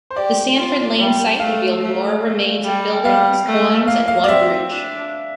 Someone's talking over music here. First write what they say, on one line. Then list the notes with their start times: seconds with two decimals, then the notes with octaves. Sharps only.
The Sandford Lane site revealed more remains of buildings, coins and one brooch.
0.11 C5
0.16 G4 D5
0.57 F4
0.99 G3
1.39 A3 F5
1.81 A3
2.22 A3
2.63 G3
3.04 G3 F5
3.46 A3
3.87 A#3 F5
4.08 F5
4.24 D5
4.28 C4 E5
4.70 D4